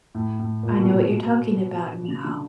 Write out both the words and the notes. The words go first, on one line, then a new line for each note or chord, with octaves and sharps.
I know what you're talking about now.
A2
A2
A#2
B2
B2
C#3
D3